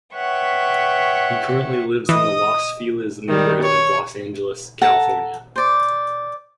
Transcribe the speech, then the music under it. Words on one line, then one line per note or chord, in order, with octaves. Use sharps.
He currently lives in the Los Feliz neighborhood of Los Angeles, California.
B4 C#5 E5 F#5 G5 C#6
E3 D#5 D#6
D#3 G3
C#5
A4 F#5 A5 A#5
C5 D5